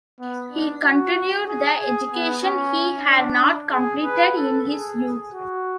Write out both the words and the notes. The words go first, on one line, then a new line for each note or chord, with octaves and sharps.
He continued the education he had not completed in his youth.
B3
D4
F#4
G#4
G#4
B3
C#4
D4
G#4
B4
A4
G#4
F#4